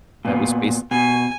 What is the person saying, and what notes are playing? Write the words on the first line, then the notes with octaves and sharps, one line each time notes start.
that was base
A#2 B3
B2 G#5